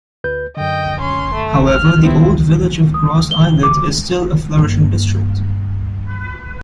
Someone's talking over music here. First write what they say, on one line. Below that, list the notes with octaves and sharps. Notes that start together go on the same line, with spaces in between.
However the old village of Gros Islet is still a flourishing district.
D2 B4 G6
F#2 D3 D#5 G5
C#4 C6
A3
F6
B3 C4 E4
D#6
G7
D6
G2 A#3